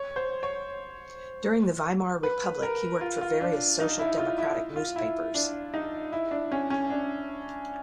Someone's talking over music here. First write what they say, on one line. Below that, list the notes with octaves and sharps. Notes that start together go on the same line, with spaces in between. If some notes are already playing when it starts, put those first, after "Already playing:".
During the Weimar Republic, he worked for various social democratic newspapers.
Already playing: C#5
C5
C#5
B4
A#4
F4
F4
D4
D#4
E4
F4
E4
F4
E4
D4
D#4
E4
D4
C#4
C#4
D4